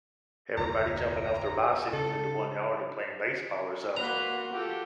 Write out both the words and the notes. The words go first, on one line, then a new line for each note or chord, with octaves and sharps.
everybody jumping off their bicycles into one yard and playing baseball or something,
F1 D2 G#2 A#5
C#3 A4
A#3 F#4 B4 A#5 C6
F4 G4 A4